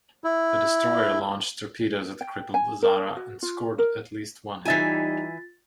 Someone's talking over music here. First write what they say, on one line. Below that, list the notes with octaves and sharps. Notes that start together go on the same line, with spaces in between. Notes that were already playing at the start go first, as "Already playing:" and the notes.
The destroyer launched torpedoes at the crippled "Zara" and scored at least one hit.
E4
G5
G#5
A#4
F#4
F4
A#4
E3 G3 D#4 F4 E5 G#5 A6